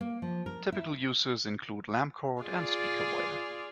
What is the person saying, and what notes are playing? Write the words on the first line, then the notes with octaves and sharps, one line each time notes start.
Typical uses include lamp cord and speaker wire.
A#3
F3
A#4
E4
F4 G#4 D5